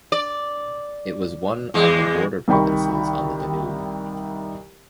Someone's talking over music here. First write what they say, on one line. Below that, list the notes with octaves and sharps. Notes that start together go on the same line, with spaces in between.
It was one on the border provinces on the Danube.
D5
E2 G#3
C2 D#3 A#4 G5 B5 C#6